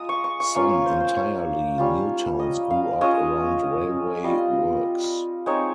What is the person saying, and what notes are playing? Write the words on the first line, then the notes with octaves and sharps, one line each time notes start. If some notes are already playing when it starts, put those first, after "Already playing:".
Some entirely new towns grew up around railway works.
Already playing: G#3 F4 A#5 D#6
C#6
C#6
C#6
A#3 C#4 F4 F5
C#5
C5
C5
C#5
G3 C#4 F4
D#5
F5
G#3 C#4 F4 D#5
G3 C4 F4 D#5
G#3 C4 D#4 C#5